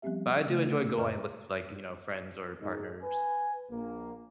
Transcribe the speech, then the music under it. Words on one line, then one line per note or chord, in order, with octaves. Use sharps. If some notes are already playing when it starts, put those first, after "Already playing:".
but I do enjoy going with like, you know, friends or partners
F3 G3 B3 C4 G4 E5
C#3 A3
F#2 B4 D#5 C#6 F6
G#2 G#3 D#4
B4 G#5
A#1 A#3